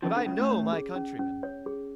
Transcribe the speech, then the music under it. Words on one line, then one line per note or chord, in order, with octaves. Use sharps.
But I know my countrymen.
F2 F3 C#4
D2 D3
C#2 C#3 C#4
A2
C#5
G#4
C#4
C#4
C#5
G#4